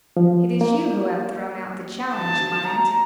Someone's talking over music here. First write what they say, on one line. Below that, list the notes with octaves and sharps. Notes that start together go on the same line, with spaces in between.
"It is you who have thrown out the challenge, mind."
F3
A#3
A5
A#5